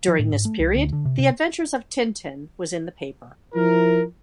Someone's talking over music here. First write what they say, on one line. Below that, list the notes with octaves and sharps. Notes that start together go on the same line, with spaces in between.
During this period "The Adventures of Tintin" was in the paper.
F3
A2
G#2
A3
C2
D2
D3
C3
C3
F3 E4 A#4